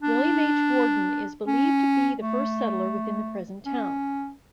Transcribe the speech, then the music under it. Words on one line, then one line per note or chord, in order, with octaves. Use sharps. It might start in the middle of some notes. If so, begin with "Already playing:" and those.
William H. Warden is believed to be the first settler within the present town.
D4
C#4
A3
C#4